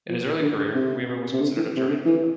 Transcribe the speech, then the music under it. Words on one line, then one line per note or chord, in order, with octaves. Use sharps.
In his early career, Weaver was considered a journeyman opponent.
F3
D3
D3
C3
C3
D3
E3
C3
D3
E3